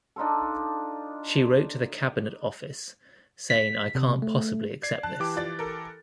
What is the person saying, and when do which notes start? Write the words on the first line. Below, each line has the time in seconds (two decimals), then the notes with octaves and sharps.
She wrote to the Cabinet Office saying I can't possibly accept this.
0.16 D4 D#4 F4 A4
3.50 B6
3.95 C3
4.22 A3
4.83 D5 G#6 C7
5.03 A5 F#6
5.20 E3 G4 D6
5.36 F3 D5 A6
5.59 A4 A#4